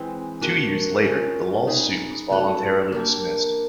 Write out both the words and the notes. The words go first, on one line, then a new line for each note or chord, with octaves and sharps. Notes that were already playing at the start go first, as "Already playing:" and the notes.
Two years later the lawsuit was voluntarily dismissed.
Already playing: E3 G#3 C4
A#3 D4 F#4 A#4
G#3 C#4 F4
B3 D#4 G#4
A3 C#4 F#4
A#3 D4 G4